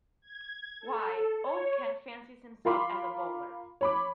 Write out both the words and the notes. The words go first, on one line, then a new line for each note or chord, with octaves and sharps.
Why, old Kent fancies himself as a bowler.
G#6
A4
C#5
F4 A#4 F5 B5 C6 D6
C#5 B5 D6